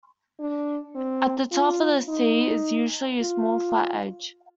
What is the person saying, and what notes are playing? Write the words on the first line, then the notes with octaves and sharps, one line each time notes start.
At the top of the "C" is usually a small flat edge.
D4
C4
F4
D#4
F4